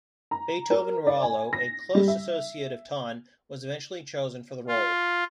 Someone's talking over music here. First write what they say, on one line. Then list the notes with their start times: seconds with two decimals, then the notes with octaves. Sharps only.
Beethoven Rualo, a close associate of Tan, was eventually chosen for the role.
0.31 A#5
0.70 A#4
1.07 D5
1.22 G#5
1.53 A#6
1.95 G3
2.08 E5
4.67 F4